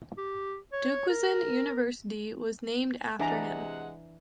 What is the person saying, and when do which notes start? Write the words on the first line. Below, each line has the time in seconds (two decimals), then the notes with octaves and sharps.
Duquesne University was named after him.
0.18 G4
0.72 C#5
1.09 A#4
3.19 C3 E3 G#3 D4 D5 F#5 G#5 A#5